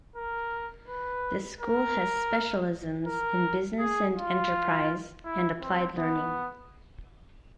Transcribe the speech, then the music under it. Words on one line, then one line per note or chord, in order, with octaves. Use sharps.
The school has specialisms in Business and Enterprise and Applied Learning.
A#4
B4
A#4
A#4
G#4
F4
E4
C4
B3